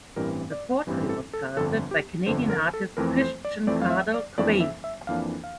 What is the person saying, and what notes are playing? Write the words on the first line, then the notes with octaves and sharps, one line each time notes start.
The portrait was sculpted by Canadian artist Christian Cardell Corbet.
A1 G2 E3 G3 C4 A#4
D5
A1 G2 E3 G3 C4
A4
A4
G1 F2 D3 A4
G4
G1 F2 D3 C5
A#4
A4
F2 E3 A3 C4 A#4
C5
D5
F2 E3 A3 C4 D5
F5
E5
D5
F2 E3 A#3 D4 D5
E5
E5
F2 E3 A#3 D4 F5
F5